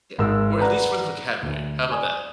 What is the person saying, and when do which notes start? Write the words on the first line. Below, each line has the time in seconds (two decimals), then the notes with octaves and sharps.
Yeah, or at least for the vocabulary how about that?
0.18 G#1 G#2 A#4 E6
0.59 B4 D5 F#5 A#5
1.42 D2
1.89 D5 G#5 D#6